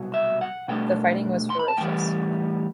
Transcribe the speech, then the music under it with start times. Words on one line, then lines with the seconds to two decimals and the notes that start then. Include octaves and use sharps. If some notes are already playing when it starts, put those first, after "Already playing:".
The fighting was ferocious.
Already playing: C2 B2 F#3
0.14 E5
0.41 F#5
0.68 B2 A3 D4 G5
1.50 C6
1.59 B5
1.68 A5
1.77 A2 E3 G3 G5